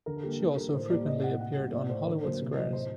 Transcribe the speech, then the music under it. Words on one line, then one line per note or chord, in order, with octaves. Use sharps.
She also frequently appeared on "Hollywood Squares".
D3 A#4
A4
G3 A#3 G4
D3 A4
G3 A#3 A#4
A2 C5
G3 A#3 D5
A2 D#5
A3 F#5
C3 F#5
G3 A#3
A2 D5
A3 C5
D3 A#4
F#3 A#3 C5
C3
F#3 A#3 D#5
A2 C5